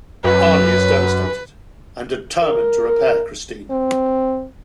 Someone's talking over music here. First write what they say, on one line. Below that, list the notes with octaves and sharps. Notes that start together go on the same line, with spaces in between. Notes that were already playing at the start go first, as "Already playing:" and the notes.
Arnie is devastated and determined to repair Christine.
F#2 B4
A#4
C4